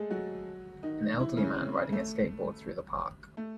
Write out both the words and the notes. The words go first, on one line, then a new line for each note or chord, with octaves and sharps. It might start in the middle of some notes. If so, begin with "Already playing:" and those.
An elderly man riding a skateboard through the park.
Already playing: G#3 A3 G#4 A4
F#3 F#4
D#3 D#4
E3 E4
C#3 C#4
C4
A3
A3